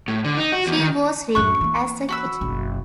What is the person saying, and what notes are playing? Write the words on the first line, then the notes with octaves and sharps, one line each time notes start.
She was rigged as a ketch.
A2
D3
D#4
F#4
E2
D#3
A1 F#2 C#6 F#6
E3 A#3
F#4 B5 E6
F#1 B1